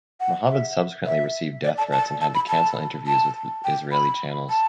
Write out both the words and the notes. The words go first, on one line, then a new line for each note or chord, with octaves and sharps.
Mohamed subsequently received death threats and had to cancel interviews with Israeli channels.
F#5
E5
E5
D5
A5
A5
A5
B5
A5
A5
G5
B5
A5